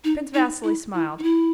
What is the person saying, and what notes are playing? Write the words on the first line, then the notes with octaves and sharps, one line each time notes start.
Prince Vasili smiled.
D#4
D#4
E4
E4
D#4
E4